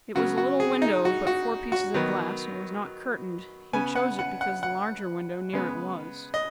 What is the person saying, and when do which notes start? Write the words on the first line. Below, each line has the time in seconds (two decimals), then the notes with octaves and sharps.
It was a little window of but four pieces of glass, and was not curtained; he chose it because the larger window near it was.
0.15 C#3 F#3 B3 F#4
0.37 F#4
0.60 G#4
0.82 D#4
1.05 F#4
1.27 F#4
1.72 F#4
1.94 D#3 F#3 B3
3.73 C#3 B3 G#5
3.96 F#5
4.19 F#5
4.41 F#5
4.63 F#5
5.53 C#3 G#3 B3
6.34 D#5